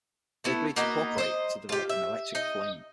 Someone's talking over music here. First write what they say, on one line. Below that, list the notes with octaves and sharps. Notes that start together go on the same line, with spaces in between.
They agreed to cooperate to develop an electric flame.
A3 B3 E4
A#3 B3 D#4 F#4
C5 D#5
F4 G4
E5
D#4 D#5